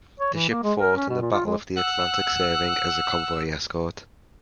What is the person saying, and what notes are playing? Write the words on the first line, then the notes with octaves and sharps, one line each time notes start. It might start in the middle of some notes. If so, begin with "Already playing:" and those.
The ship fought in the Battle of the Atlantic serving as a convoy escort.
C#5
E3
A#3
G#3
A#4
C#4
B2
A#2
F4
G#3
F#5 E6